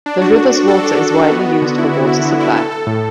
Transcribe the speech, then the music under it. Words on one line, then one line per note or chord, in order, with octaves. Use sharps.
The river's water is widely used for water supply.
D4
F#4
D4
F#4
A4
D4
D4
F#4
B3
B3
D3
E4
E4
E4
D3
E4
A4
A4
A2